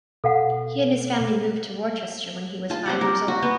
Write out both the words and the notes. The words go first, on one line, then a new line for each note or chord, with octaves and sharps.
He and his family moved to Worcester when he was five years old.
B2 A4 F5 F#5
F4 A5
C4 G4 F#5
A#4
F#4
B3